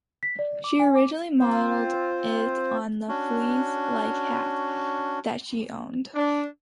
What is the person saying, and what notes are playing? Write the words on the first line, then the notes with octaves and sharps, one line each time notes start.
She originally modeled it on a fez-like hat that she owned.
B6
D5
D6
G#5
D6
C4 F4 C5
C#4 D4 F#4
D4